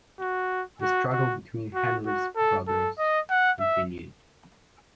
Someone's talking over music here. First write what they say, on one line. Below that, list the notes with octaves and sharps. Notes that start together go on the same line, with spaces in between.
The struggle between Henry's brothers continued.
F#4
F#4
F#4
F#4
F#4
A4
A4
D#5
F#5
E5